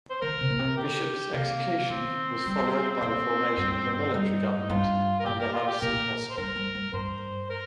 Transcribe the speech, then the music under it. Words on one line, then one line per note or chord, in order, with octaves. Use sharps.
Bishop's execution was followed by the formation of a military government under Hudson Austin.
C5
D#3 A#4
C3
A#2
C3
G4
C3 A#3
D#3 C4
G3
A#2 C4
G2
G2 D#4
G2 F4
A#4
A#2 G4
A#4
F4
G4
A#2 A#4
C5
G2 A#4
G2
G2
G2 C5
A#4